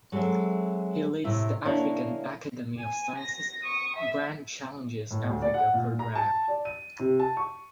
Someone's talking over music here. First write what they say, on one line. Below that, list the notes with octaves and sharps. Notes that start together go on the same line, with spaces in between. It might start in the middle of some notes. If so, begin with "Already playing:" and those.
He leads the African Academy of Sciences Grand Challenges Africa Programme.
F#3 G#3 C4 A4 E5
A2 C3 E4
C#3 A#3 C#4 D4 E4 F#4
G#5
A#6
C#6 D#6
E5
A2
D2
D5
F#5
A#2
A#5
A5
D5
D#7
C3
A5
C#6